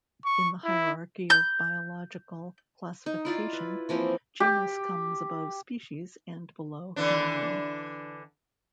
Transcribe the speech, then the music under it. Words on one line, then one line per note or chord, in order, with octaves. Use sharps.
In the hierarchy of biological classification, genus comes above species and below family.
C#6
E4
G6
D#4
E4 F4 D5
B4
E3 F3 A#3 C4
G4
D3 E3 D4